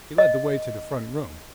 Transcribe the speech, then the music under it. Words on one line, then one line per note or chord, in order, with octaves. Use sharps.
He led the way to the front room.
D#5